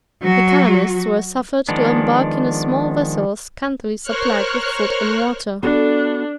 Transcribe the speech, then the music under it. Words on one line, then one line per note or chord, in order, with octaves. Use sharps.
The colonists were suffered to embark in a small vessel scantily supplied with food and water.
F#3 F#4
D#3 F3 G#3 B3 D4
A#4 C5 C#5 C#6 F6 F#6
B3 D4 F#4 A4